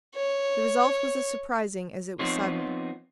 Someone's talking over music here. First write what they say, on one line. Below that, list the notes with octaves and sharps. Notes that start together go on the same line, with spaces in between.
The result was as surprising as it was sudden.
C#5
F3 B3 C4 D#4 F4 C#5